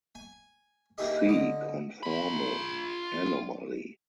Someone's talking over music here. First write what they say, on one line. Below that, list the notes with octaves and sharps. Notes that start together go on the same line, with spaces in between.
See conformal anomaly.
G#5
A#3 D#4 E4 G4 G#4 D#5
D3 D#5
F4 B5